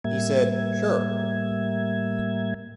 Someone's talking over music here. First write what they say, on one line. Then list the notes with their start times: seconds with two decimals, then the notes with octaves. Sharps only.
He said, 'Sure.
0.04 A2 G3 A#3 E5 G#6